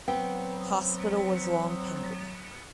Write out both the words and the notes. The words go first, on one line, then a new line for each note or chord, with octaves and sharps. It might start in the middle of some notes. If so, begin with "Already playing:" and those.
Hospital was long pending.
F#3 B3 C4 G5